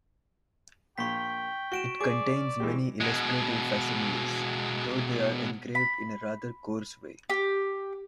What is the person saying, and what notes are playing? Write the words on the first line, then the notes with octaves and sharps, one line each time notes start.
It contains many illustrative facsimiles, though they are engraved in a rather coarse way.
A#1 A#2 G5 C#6 B6
F#4 C#6 D7 E7
G#4 D5 D6
E3 G#3 G4
B2 G#3
B5
G4